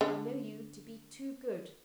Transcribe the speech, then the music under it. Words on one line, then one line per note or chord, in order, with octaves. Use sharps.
I know you to be too good.
D3